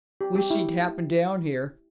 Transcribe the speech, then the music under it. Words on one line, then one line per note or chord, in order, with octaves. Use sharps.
Wish she'd happen down here.
G4
G4
E4